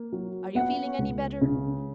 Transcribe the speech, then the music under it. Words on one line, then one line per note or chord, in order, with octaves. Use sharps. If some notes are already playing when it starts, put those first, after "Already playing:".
Are you feeling any better?'
Already playing: A#3
F#3
B3 F#5
C#2
C#3